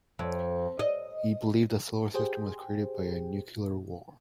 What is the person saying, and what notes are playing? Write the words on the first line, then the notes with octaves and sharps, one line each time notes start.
He believed that the solar system was created by a nuclear war.
F2
D#5
G4 G#4 C5 G5